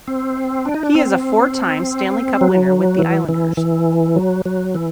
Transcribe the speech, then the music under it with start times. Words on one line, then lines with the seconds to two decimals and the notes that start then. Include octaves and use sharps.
He is a four-time Stanley Cup winner with the Islanders.
0.08 C4
0.65 D4
0.74 D#4
0.83 D4
0.95 C4
2.41 F#3
2.99 E3
3.29 E3
3.57 E3
4.16 F#3
4.45 F#3
4.74 E3